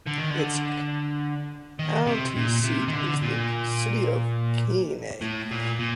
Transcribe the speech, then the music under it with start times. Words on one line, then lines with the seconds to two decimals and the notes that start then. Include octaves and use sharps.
Its county seat is the city of Keene.
0.06 D3
0.18 D#3
0.30 D3
1.79 D#3
2.06 C3
2.36 A#2
2.64 C3
2.88 D#3
2.93 D3
3.22 A#2
5.21 A2
5.51 A#2
5.79 A#2